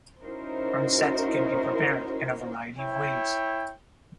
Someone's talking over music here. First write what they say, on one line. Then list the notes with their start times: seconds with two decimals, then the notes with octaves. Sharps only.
Ensete can be prepared in a variety of ways.
0.22 C#4 D#4 E4 F#4 A#4 C5
2.78 E4 C#5 G5